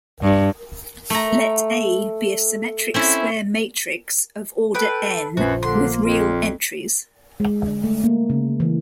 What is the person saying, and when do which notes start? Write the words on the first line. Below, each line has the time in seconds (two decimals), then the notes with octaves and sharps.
Let "A" be a symmetric square matrix of order "n" with real entries.
0.23 G2
1.10 A3 A#5
2.94 C4 C#4 E4
4.75 A4 B4 G5
5.37 A#1 F#2 F3 F#4 B4
5.63 D3 A#3 C6
6.04 F2 F4
7.40 G#3
7.66 D3
7.84 A3
8.04 A#3
8.30 C#3
8.60 E3